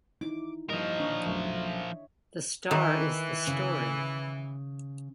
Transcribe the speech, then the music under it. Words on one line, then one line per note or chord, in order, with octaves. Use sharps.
The star is the story.
D#4 E4 D6
G2 A#2 E3 F3 A#4 D#5
D#2 D4 C#5
B1 F#2 A3 E5
D#3 E3
C#3